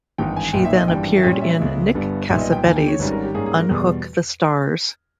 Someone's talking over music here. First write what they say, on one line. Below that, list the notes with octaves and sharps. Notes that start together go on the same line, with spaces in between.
She then appeared in Nick Cassavetes's "Unhook the Stars".
G#1 G2 E3 G#3 D#4 G5
G#5
B1 A#2 A#3 D#4 G5
E5
D#5
G#1 G2 E3 G3 G5
E5
A#2 G3 C#4 G5
E5
C#2 C#3 G#3
G1 G2 G3 B3
B1 A#2 G3 B3 D#4 E5
D#5
G5
D#2 D#3 A#3 G#5
G5
C#5
G#1 G#2 G3 C#4 B4
A#4
G4
G#2 G3 A#3 C#4 G#4
G#4
A#4
E2 B2 G3 G#4